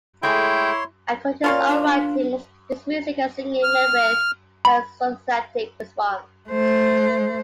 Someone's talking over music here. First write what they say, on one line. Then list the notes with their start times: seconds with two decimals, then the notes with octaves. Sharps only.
According to his own writings, his music and singing met with an enthusiastic response.
0.23 G#3 A3 E4 G#4 C#5 G5 C6
1.44 A#3 C#4 F4 D5
1.67 D4
3.63 F6
4.65 B5
6.50 A3 C5